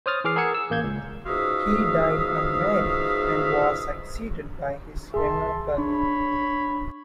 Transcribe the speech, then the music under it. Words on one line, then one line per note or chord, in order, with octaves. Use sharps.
He died unmarried and was succeeded by his younger brother.
C5 C#5 D#6 F6 A6
E3 G#4 D6 F6 C7
G#4 A#4 F#5 E6 G#6 C#7
E6
A1 A#3 G6 G#6
C#2
C#2 G#2 F#4 E5 F5 D#6
C2 G#4 E5 A5 C6
D4 C#5 B5